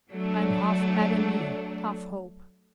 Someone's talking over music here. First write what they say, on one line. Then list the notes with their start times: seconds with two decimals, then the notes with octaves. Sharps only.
I am half agony, half hope.
0.11 F#3 A3 D4